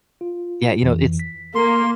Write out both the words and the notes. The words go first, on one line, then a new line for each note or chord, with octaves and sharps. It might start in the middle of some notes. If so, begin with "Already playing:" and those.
yeah, you know, it's
F4
F2 E3
B6
A#3 C6